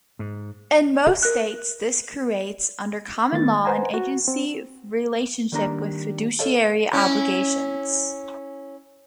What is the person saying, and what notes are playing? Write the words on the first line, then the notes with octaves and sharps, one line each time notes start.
In most states this creates, under common law, an agency relationship with fiduciary obligations.
G#2
A#4 F#6
D#3 A3 B3 A6
B4 C5 F#5 G#5 A#5
F#4
C4
D#3 G3 A#3 D4 E4 A#5
A4 C#5 D#5 F5 A5
C#4 E4